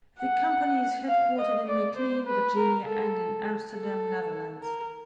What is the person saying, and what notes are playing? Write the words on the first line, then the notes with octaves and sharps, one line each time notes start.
The company is headquartered in McLean, Virginia and in Amsterdam, Netherlands.
F#5
F5
D#5
D5
C5
B4
A#4
A4
A4
A#4